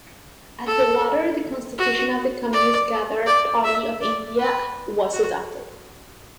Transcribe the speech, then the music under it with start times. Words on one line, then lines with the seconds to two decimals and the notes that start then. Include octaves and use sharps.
At the latter the Constitution of the Communist Ghadar Party of India was adopted.
0.67 A4
1.78 F#4
2.53 D5
3.26 D5
3.64 E5
4.01 D5
4.38 B4
5.13 F#4